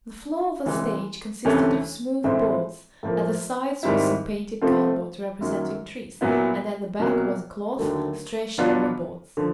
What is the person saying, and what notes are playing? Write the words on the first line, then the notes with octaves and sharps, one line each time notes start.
The floor of the stage consisted of smooth boards, at the sides was some painted cardboard representing trees, and at the back was a cloth stretched over boards.
C2 C3 E3 G#3
D2 C3 E3 A3 C#4
A2 E3 G#3 C4 E4
A2 F3 A#3
G#2 D#3 G3 C4 E4
C3 F3 A3 C4 F4
F#2 D#3 F#3 A#3
A#2 F#3 B3 E4
C2 B2 F#3 A#3
D#2 D3 F#3 A3
B2 F#3 B3 D4 F4
D3 F3